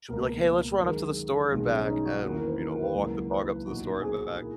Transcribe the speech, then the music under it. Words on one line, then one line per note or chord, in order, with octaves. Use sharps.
she'll be like, "Hey, let's run up to the store and back." and, you know, we'll walk the dog up to the store and back,
C#2 B2 A#3 A#4
F#2 D#3 G#3 A#4
B1 B2 G#3
C#4
C#4
D#4
F#4
E2 D#3 A#3 C#4 E4 F#4
A#4
B4
A#4
A#4
B4
C#2 C#3 F#3 A#3 E4 A#4
B4
B1 A#2 A#3 D#4 F#4
F#4
G#4
F#4
A#2 A#3 E4